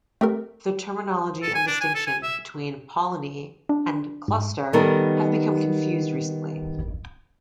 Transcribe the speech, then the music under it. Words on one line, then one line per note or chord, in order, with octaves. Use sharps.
The terminology and distinction between 'polony' and 'cluster' have become confused recently.
A3 C4 G4 A4 A#4
A4
G#5
D4
G#5
A4
G#5
E5
D4
G#2
D#3 G3 B3 D#4 A4 A#4